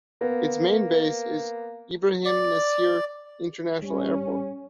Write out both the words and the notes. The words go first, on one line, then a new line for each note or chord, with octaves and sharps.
Its main base is Ibrahim Nasir International Airport.
A#3 B3
D5
G3 C#4